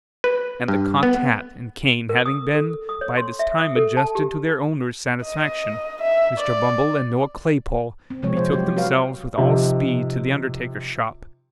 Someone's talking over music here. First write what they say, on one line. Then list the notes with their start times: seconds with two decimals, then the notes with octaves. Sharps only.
And the cocked hat and cane having been, by this time, adjusted to their owner's satisfaction, Mr. Bumble and Noah Claypole betook themselves with all speed to the undertaker's shop.
0.24 B4
0.68 G2
1.03 B3
2.09 A#4
2.26 D#6
2.55 A4
2.89 D#6
3.01 C#5
3.17 C6
3.39 E5
3.58 D#6
3.76 A4
3.97 A5
4.15 G4
5.24 D#5
6.02 E5
6.39 D5
8.10 C4
8.22 C3 F3 G#3 C4 C#5
8.37 C5
8.52 F#3 F#4 G4
8.76 F#4 G4 B4 C#5 F5
9.38 C3 F3 D#4